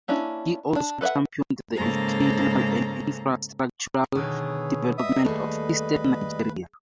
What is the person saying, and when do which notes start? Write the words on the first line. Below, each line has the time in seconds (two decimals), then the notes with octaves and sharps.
He also championed the educational and infrastructural development of Eastern Nigeria.
0.08 A#3 C#4 D4 E4
0.76 D4
1.01 A4 B4 D5 E5 F#5
1.75 G#2 C#3 A#3 A4 C5 A#5
4.15 B2 D3 D#3 B3 G#4 C#5
4.98 G3 D#5 E5 D#6
5.25 D#2 A3 G#4 B4